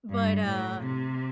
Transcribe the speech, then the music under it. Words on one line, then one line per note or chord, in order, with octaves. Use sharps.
But, uh
G2
A2
C3